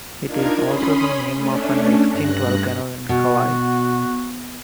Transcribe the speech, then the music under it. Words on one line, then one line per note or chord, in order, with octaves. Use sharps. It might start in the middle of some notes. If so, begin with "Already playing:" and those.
It is also the name of an extinct volcano in Hawaii.
D4 D#4 F4 A#4 G#6
C#4 B5 C6 D#6
A3 C#4 D4
G2 F#6 A#6
B2 F#4